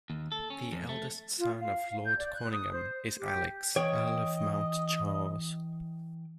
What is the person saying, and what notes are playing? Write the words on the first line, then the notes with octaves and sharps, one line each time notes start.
The eldest son of Lord Conyngham is Alex, Earl of Mount Charles.
D#2
A4
C#4
F2
A3
F4
F5
G6
D5
F#6
D#6
C5
G4
E3 C#5 D#5 G5